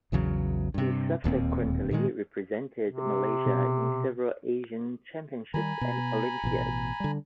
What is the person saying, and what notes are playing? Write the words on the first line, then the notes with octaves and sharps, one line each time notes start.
He subsequently represented Malaysia in several Asian Championships and Olympiads.
A#1 E2 C#3 F#3
G2 C3
D1 D#2 A#2 C4
A#2 D#3 G#3
C3
B2
D#3 G3 G#5 A#5 B5
B2
A1 B2
D3 G3